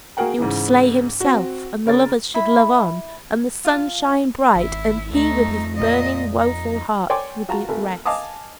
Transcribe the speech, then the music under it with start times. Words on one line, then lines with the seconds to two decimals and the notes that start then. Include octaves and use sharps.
He would slay himself, and the lovers should love on, and the sun shine bright, and he with his burning, woeful heart would be at rest.
0.17 A#3 F#4 G#4 A#4 F#5 G5
0.39 G#2 C#3 E3
1.20 C4 F#4
1.86 C#3 A#4 C#5 A6
2.34 E4 B5
3.65 F4 A5
4.56 G#1 E4
5.12 D2 A3 D#4
5.44 F2
5.76 A#2 D#5
6.39 D#4
7.10 C#5 D5 G5 G#5 C6 D6
7.49 F4 F#4 A5 A#5
7.69 G#1 A3
8.06 D#5 F5 G#5 A5 D6 D#6